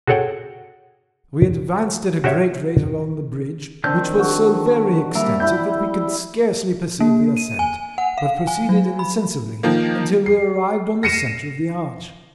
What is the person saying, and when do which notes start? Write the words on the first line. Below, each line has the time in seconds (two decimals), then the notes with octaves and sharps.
We advanced at a great rate along the bridge, which was so very extensive that we could scarcely perceive the ascent, but proceeded insensibly until we arrived on the centre of the arch.
0.07 F#4 G#4 A4 C#5 F#5 G5
2.24 F#4 G4 C5 C#5 E5
3.84 D#3 C4 D4 F6 G6
4.19 F#4
5.15 G3 A#3 E5 A#5
5.40 G3 E4 G6
7.00 A#3
7.37 D#7
7.59 G#5
7.98 F#5
8.18 F5
8.47 G#5
8.69 F#3
8.99 B5
9.63 D#3 F3 A#3
10.26 C7
11.03 A#6 C7 C#7 D#7 E7